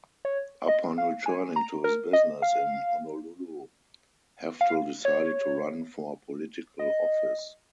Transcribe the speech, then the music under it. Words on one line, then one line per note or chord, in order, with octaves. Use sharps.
Upon returning to his business in Honolulu, Heftel decided to run for political office.
C#5
D#5
F5
G#5
A#5
A#4
D#5
F5
F5
C#5
D#5